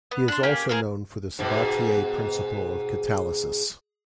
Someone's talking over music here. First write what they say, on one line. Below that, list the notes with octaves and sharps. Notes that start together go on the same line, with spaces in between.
He is also known for the Sabatier principle of catalysis.
B3
D4 C6
A#3 C#4 G4 G#4
G#4 A#4 C5 F5
G#2 B2